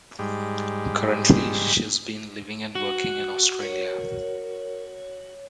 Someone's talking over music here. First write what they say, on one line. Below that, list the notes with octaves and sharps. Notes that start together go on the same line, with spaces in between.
Currently, she's been living and working in Australia.
G#2 G3
F#4
A#4 C#5